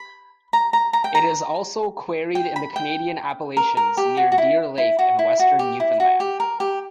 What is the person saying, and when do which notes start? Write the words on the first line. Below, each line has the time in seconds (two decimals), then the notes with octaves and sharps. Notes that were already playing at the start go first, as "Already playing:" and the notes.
It is also quarried in the Canadian Appalachians near Deer Lake in Western Newfoundland.
Already playing: B5
0.53 A#5
0.73 A#5
0.93 A#5
1.04 G5
1.15 A#5
2.35 G5
2.56 B5
2.76 G5
3.57 A#4
3.77 A#4
3.97 G4
4.17 F#4
4.32 F#4
4.38 E4
4.78 E4
4.99 F#4
5.19 E4
5.39 F#4
5.59 G4
5.80 E4
6.00 F#4
6.20 G4
6.40 A#4
6.60 G4